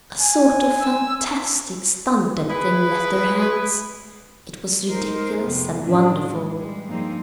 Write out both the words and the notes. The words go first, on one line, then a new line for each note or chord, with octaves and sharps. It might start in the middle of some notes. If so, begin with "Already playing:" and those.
A sort of fantastic stunted thing left their hands; it was ridiculous and wonderful.
G#5
E6
E4 G#4 B4
G#3 D#4 A#4 C5
F2 C3 A3 B3
F#2 A2 F#3 C#4 D4
G#3
G3 G#3
G2 F3 G#3 A#3 C4 D#4